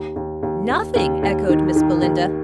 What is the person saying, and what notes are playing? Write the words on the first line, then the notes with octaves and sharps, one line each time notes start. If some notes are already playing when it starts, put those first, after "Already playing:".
"Nothing!" echoed Miss Belinda.
Already playing: D#2
D#2
D#2
D#2
D#2
D#2
D#3
D#3
D#2